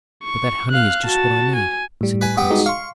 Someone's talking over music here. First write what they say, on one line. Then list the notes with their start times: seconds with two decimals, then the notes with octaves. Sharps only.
"But that honey is just what I need," said the prince.
0.24 C#6
0.71 F5 F#6
1.06 F#4 A5
1.56 G#5
2.01 A2 G3
2.21 B4 G#5
2.37 G2 B3 G5
2.50 G#3 D#4 F#4
2.66 F5 C6 C#6